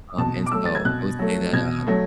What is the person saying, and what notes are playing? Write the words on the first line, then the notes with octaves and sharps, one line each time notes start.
um, and so I would say that, uh
B2 A5
D6
F#3 A3 E6
A6
G#6
B2 F#6
F#3 A3
B2 G#6
F#3 A3